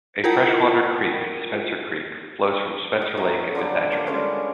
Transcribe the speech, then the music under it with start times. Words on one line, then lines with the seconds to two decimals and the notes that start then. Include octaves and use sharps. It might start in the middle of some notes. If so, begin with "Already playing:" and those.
A freshwater creek, Spencer creek, flows from Spencer Lake into Thatcher Bay.
0.24 E4 F4 A#4 F#5 G5
3.02 D#5
3.17 F#3 B3 E4
3.55 D3 F3 G3 B3
3.92 A#3 G4
4.07 G3 G#3 C#4